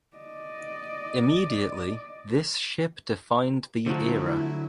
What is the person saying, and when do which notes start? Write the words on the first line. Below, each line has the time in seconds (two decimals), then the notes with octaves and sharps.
Immediately this ship defined the era.
0.17 D5 D#5
3.86 D3 F3 F#3 A3 E4 C5